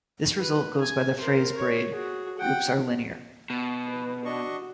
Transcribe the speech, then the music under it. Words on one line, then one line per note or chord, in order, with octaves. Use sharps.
This result goes by the phrase braid groups are linear.
B4
G#5
A#4 C5
C#5
F#4 G#4
F#5 G5
B2
B4
D4 F#4 D#5 C#6